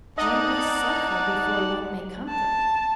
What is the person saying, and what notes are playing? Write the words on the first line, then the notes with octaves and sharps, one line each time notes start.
One must suffer before one may comfort.
D#4 D5 D#5 F#5 A5
A5